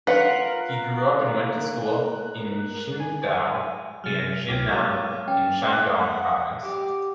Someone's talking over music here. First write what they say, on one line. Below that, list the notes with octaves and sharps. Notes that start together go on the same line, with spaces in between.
He grew up and went to school in Qingdao and Jinan in Shandong province.
F4 A#4 B4 F5 F#5 F#6
G#5
D#7
C3 F#3 F6 A6 D#7
C#2 A2 G5 D6 G#6
F#3 A#3 D5 C#6 E6
C#4 G5
F#5
G4